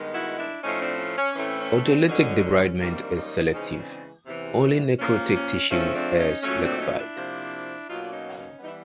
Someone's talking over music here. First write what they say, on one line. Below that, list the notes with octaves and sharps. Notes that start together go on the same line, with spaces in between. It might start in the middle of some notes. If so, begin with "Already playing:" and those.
Autolytic debridement is selective; only necrotic tissue is liquefied.
Already playing: G2 D#3 G#3 B3
E4 F#4
D4 E4
A2 F3 A3 C#4 D#4
C4 D4
C#4
C#4
A2 E3 A3 C4 C#4
C#4
C4 D4
F#2 D3 F#3 C#4 D#4
C#4
F#2 D#3 G3 A#3 C4 D4
C#4 D#4
C#3 E3 G#3 C4 C#4 D#4
C4 D4
E2 C3 E3
A#2 F3 A#3 C#4
C#4
F2 C#3 F3 A3 C4 C#4
C4 D4
C#4 D#4
A#2 F#3 A3 C#4
C4 D4
C#4 D#4
D4 E4
C3 F3 A#3
B2 F#3 A#3 D#4 F4
D4
C#4 D#4
C#4 D#4
E3 G3 B3 D#4
E4